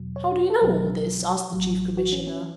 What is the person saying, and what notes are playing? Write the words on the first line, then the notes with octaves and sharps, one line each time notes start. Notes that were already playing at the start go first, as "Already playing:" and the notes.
"How do you know all this?" asked the Chief Commissioner.
Already playing: E2 B2 F#3
C#5
F#4
A4
B1 B2 F#3 B4
A1 A2 F#3
F#4
C#4
C#4